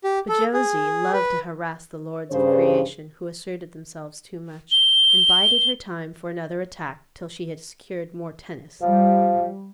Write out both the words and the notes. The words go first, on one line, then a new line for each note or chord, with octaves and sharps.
But Josie loved to harass the lords of creation who asserted themselves too much, and bided her time for another attack till she had secured more tennis.
G4
A4
G#4
B4
G2 C#3 C5
G7
F3 G3